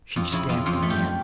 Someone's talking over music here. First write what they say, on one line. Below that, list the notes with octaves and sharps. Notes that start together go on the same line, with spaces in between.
She stamped again.
F2 F4
C#3 E4
F2 F4
F2 F4
A3
G4